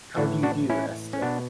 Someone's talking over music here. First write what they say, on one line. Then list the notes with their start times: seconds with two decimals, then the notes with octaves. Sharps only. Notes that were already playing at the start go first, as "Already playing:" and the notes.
How do you do, Esther?
0.16 A2 E3 D4 F#4
0.43 D4 F#4
0.70 C#4 E4
1.13 C#4
1.22 B2 B3 D4